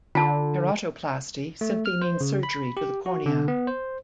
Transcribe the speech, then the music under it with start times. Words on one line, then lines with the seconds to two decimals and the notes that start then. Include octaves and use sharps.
Keratoplasty simply means surgery to the cornea.
0.15 D3 F4 A5
1.61 A3
1.86 F6
2.02 C5
2.21 C#3
2.43 B5
2.77 G4
3.06 F#4
3.26 D3
3.48 B3
3.67 C5